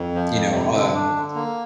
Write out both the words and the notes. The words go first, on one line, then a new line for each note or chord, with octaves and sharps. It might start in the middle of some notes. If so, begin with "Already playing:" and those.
you know, um,
Already playing: F2
F3
F2
C3
D3
D4
D3
A#3